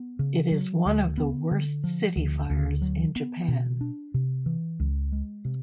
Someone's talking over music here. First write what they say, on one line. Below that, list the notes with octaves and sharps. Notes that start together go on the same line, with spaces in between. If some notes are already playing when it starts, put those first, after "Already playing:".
It is one of the worst city fires in Japan.
Already playing: B3
C#3
F#3
D2
B3
D3
F3
D2
D2
F#3
B3
B2
D4
C3
E3
C#2
G#3
C3